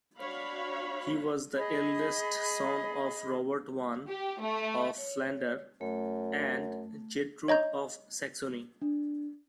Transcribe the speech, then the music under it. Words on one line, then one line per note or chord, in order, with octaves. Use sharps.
He was the eldest son of Robert I of Flanders and Gertrude of Saxony.
D4 F#4 C#5 F5 B5
G#4 D#5 B5
G4
A3
C#5
F#2 A3
C#5 D#5 A#5 G6
D4